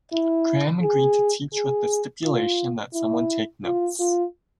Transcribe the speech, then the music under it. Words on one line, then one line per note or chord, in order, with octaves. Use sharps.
Graham agreed to teach with the stipulation that someone take notes.
E4
G#4
G#4
F4
E4
F4
F4